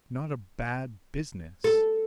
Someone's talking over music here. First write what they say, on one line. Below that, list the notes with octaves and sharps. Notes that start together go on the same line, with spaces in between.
"Not a BAD business?"
A4